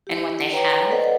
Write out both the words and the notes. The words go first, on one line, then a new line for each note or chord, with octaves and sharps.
and what they have
E4 G4
B4 C#5 G5 A#5
A4 B4 C5 D5 D#5 F#5